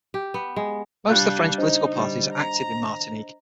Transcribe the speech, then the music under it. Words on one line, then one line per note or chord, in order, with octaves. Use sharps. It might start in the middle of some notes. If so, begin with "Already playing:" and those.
Most of the French political parties are active in Martinique.
G4
B3
G#3
G3 D4 F5 F#6
D4 D#4 C5 D#5
G3
A#5